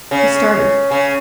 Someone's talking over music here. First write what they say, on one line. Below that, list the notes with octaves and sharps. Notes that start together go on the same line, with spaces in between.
He started.
C#3
C#3